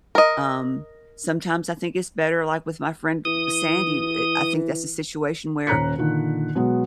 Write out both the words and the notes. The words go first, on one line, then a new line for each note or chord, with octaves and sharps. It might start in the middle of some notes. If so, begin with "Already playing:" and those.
Um, sometimes I think it's better, like, with my friend Sandy, eh, I think that's a situation where
A#4 D#5
E3 D#6
D#1 C#4 A#5 F#6 B6 C#7
A#2 D3 D#3
B2 F#3 G#3 B3